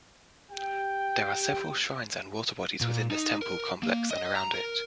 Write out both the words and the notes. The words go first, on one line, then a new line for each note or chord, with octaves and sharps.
There are several shrines and waterbodies within this temple complex and around it.
G4 G5
A#2
D#4
A#4
A#3
D#5
A#5
A#4